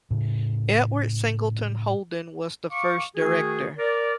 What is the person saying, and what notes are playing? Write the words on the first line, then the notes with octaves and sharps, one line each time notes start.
Edward Singleton Holden was the first director.
A2 C#3
F5 C#6 D6
D#3 A3 F#4 G#4
A#4 D5